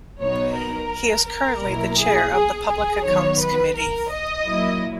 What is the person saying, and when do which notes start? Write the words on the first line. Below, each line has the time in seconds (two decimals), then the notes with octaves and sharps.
He is currently the Chair of the Public Accounts Committee.
0.20 B2 F#3 B3 D#4 C#5
0.56 A#4
1.27 A#4
1.62 B2 F#3 A#3 E4
1.98 G#4
2.33 G#4
2.69 G#4
3.04 D#3 F#3 B3 C#5
3.40 B4
3.75 A#4
4.10 D#5
4.46 A#2 F#3 A#3 E4